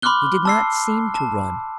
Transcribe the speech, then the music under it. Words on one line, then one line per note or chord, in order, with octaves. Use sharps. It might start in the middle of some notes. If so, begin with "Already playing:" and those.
He did not seem to run.
B5 C6 D6 F6 F#6 G7
A5 E6 C7
A5